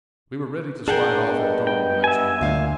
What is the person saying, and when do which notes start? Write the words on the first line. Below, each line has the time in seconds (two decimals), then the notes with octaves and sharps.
We were ready to slide off at dawn the next morning.
0.88 D4 G#4 A#4 F#5 G5
1.29 G2 B3 D#5
1.67 G5
2.04 E5 G#5
2.41 D2 A#2 D4 F5